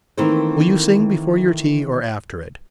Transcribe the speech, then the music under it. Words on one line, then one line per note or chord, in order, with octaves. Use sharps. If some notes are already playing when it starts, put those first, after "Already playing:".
"Will you sing before your tea, or after it?"
D#3 E3 A3 A#3 C4 C5